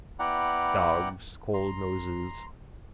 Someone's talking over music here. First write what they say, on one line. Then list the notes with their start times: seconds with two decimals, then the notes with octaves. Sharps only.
Dogs' cold noses.
0.19 B3 E4 D5 F#5 G5 A#5
1.54 A#5 C6